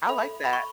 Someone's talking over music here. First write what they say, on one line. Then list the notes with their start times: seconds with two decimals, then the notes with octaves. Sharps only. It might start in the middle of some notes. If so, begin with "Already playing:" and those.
I like that.
0.09 A4 E5 B5
0.45 B5
0.53 C#6